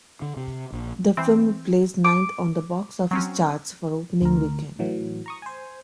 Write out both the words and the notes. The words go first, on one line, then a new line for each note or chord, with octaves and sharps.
The film placed ninth on the box office charts for opening weekend.
D3
C3
A#1
E3 C4
D6
F#3 C4 C#4
D2 A#4
A2 E3 F#3
A#5 C#6 D#6
C5 G#5